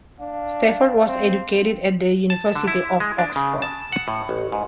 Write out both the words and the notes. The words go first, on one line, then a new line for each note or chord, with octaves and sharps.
Stafford was educated at the University of Oxford.
D4 F5
C4
A5
D3
E4
G#3
D4
C#3
A5
F#5
A2
A1
G#2